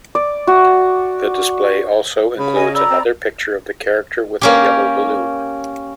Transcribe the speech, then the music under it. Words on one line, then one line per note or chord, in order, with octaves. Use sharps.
The display also includes another picture of the character with a yellow balloon.
D5
F#4
C#3 B5
C#5 D#5 G#5
D5 A#5 B5 E6
C4
A#3 C#4 G4